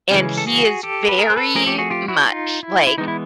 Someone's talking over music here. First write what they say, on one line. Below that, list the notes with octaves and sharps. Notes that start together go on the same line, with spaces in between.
and he is very much like,
C#3 E3 G#3 C#4
A4
F#4 G#4
G4 A4
B4
G#4 A#4
C5
A4 B4
F3 A3 C4 G#4 A#4
G4 A4
F#4 G#4
F4 G4
E4 F#4
D#4 F4
E4
E4
E3 G#3 B3 D#4
E4